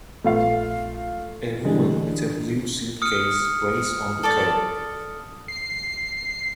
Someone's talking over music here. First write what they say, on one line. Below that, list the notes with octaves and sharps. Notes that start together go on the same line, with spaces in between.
A woman with a blue suitcase waits on the curb.
A#1 A3 F4 F5
D3 E3 G3 G#3 D4
D#6 F6 C#7
A4 D5 A5
C7